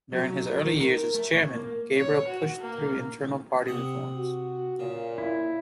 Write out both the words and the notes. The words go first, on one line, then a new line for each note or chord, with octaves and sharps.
During his early years as chairman, Gabriel pushed through internal party reforms.
F#3
A#4
D#3
A#4
A3
A2
A#3
C#5
F#4
A#3
C3 F#5 D#6
F#4
A#2 C#3
E4